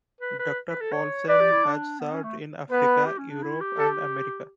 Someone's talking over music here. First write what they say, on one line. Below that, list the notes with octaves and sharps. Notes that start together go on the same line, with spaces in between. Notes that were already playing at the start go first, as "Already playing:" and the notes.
Doctor Paulsen has served in Africa, Europe and America.
B4
B4
B4
A4
C#5
B4 D5
G4
E4
D4
B3
C#4
A3
B3 B4
G4
C#4
D4
E4
G4
A4